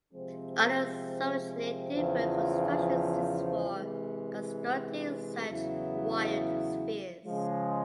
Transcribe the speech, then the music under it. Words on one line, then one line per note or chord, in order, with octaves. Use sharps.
Other substantially different constructions exist for constructing such "wild" spheres.
C3 F3 G#3 C4
E2 C#3 F3
C3 E3 G#3
E2 C#3 F#3 B3 E4
C#3 F3 G#3